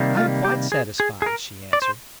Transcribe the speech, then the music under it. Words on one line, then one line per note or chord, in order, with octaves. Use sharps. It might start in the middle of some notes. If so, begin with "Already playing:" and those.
"I'm quite satisfied," she answered.
Already playing: C3 D#3 G3 A#3
F4
G4
G#4
G#4
G#4
A#4
D5
C5